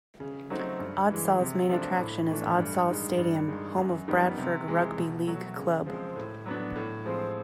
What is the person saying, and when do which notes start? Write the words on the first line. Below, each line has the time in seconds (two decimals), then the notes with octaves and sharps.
Odsal's main attraction is Odsal Stadium, home of Bradford rugby league club.
0.20 C#3
0.50 F#3 A3 C4 D#4
0.80 G2
1.10 E3 G#3
1.39 C3
1.69 F3 A3 D4
1.99 A2
2.29 E3 A3 D4
2.59 G2
2.89 D#3 G#3
3.18 G2
3.48 D#3 G#3
3.77 F#2
4.08 D#3 G3 B3
4.37 C3
4.67 E3 G#3
4.97 B2
5.26 F#3 A3
5.57 C#3
5.86 F3 G#3 C4
6.16 A2
6.46 F#3 B3 D4
6.76 A2
7.05 F3 G#3 C4